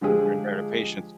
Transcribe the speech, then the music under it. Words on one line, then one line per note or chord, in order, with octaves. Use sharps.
prepare the patients.
D3 F3 G#3 G4 G#4